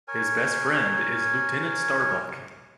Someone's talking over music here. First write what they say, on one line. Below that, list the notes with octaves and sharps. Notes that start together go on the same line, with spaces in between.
His best friend is Lieutenant Starbuck.
A#4 C#5 G#5